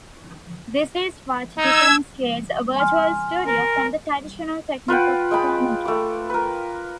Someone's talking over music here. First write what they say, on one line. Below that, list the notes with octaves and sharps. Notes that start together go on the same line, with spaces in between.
This is what differentiates a virtual studio from the traditional technique of chromakey.
D#4 E6 G#6
G#5 C6 F6
A#4
F4 B4 F#5 G5
G#3 G5 A5 B5
A3 D6
A#4 B4